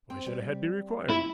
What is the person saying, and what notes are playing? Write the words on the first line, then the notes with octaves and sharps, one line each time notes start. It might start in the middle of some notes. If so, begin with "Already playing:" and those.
Why should a head be required?
C4
G3
E4